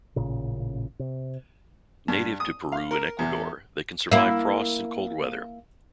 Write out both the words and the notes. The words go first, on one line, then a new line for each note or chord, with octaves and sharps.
Native to Peru and Ecuador, they can survive frosts and cold weather.
A1 A#2 C#3
C3
G2
D#6
F5
A#4
E2
A#3 E4